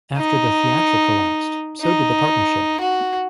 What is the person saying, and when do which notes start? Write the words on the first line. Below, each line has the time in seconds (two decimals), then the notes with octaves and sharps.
After the theatre collapsed, so did the partnership.
0.17 D#4
1.81 D#4
2.81 F#4